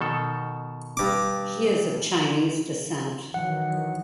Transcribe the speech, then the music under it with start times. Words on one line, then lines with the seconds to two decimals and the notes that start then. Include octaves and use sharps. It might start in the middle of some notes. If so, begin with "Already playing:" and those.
He is of Chinese descent.
0.01 B2 D#3 A4
0.97 G2 D6
3.34 D#3 E3 F#3 F#5